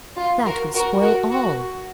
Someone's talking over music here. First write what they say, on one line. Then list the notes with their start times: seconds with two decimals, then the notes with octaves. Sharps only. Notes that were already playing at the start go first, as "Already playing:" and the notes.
'That would spoil all.
0.17 F4
0.45 F#4 A#4
0.74 F#4 A#4
1.01 F#4 A#4
1.30 F#4